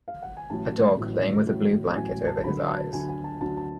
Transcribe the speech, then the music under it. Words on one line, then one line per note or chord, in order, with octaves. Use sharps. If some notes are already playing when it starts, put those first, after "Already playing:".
A dog laying with a blue blanket over his eyes.
F5
F#5
G#5
A1 A2 F#3 A5
A1 A2 F#3
A1 A2 F#3
A1 A2 F#3 G#5
A5
D2 D3 F#3 B5
A5
D2 D3 F#3 G#5
G#5
A5
D2 D3 F#3 A5
A5